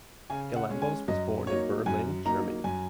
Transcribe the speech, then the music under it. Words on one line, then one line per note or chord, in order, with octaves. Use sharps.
Galambos was born in Berlin, Germany.
C#3 G#5
F#5
G#3 C#4
G#5
F#2 D#5
F#3 A#3 D#4 C#5
F#2 G#5
F#3 A#3 D#4 A#5
F#2 G#5